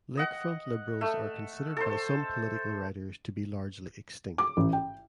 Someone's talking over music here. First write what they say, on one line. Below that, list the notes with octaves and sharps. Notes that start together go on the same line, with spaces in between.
Lakefront liberals are considered by some political writers to be largely extinct.
D#5 F#5
A3
A4 C5
D6
A1
G5